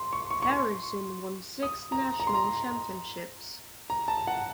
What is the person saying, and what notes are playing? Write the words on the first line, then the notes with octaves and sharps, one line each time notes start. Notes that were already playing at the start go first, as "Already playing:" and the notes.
Harrison won six national championships.
Already playing: C6
C#6
C#6
C#6
C6
D#6
A#5
A#5
C6
A#5
A#5
A5
F#5